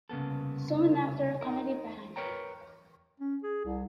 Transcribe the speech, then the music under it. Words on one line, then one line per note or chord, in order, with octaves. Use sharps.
Soon after, Comedy Bang!
C2 C#3 A#3 B3 A4
D#4 A#4
A#4 B4 C#5 G5 A#5
C#4
G#4
C2